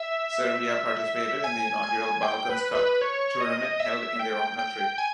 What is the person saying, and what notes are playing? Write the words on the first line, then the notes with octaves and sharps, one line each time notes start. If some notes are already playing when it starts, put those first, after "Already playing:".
Serbia participated in the inaugural Balkans Cup tournament held in their own country.
Already playing: E5
G#5
G#5
G5
B4
B4
C#5
D#5
E5
G5
G5
G#5